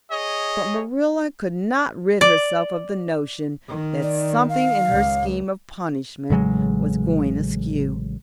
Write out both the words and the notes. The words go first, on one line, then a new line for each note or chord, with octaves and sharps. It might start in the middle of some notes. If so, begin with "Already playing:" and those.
But Marilla could not rid herself of the notion that something in her scheme of punishment was going askew.
G#4 C#5 D#5
D5
D#3
D5
F5
C#2
A1 C#3 F#3 G#3